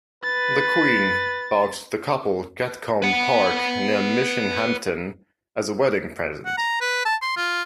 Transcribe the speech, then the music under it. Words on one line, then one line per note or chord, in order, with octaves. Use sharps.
The Queen bought the couple Gatcombe Park near Minchinhampton as a wedding present.
B4 A6
B4 F#5
F#5
A#5
B4
A5
C6
F4